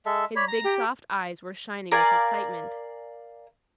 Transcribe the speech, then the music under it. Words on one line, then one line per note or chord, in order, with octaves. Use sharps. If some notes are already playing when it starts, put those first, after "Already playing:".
His big soft eyes were shining with excitement.
G#3 A4 E5
C#5 D5 B5
A#5
G4
A#4 D5 F5 G#5